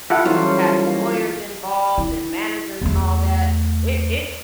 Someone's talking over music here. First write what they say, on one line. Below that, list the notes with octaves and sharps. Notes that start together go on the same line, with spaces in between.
having lawyers involved and managers and all that, it it
E4 F4 G4 A4 F#5
A2 E3 F#3 G3 C#4 C5
A#3
E4
E2 A3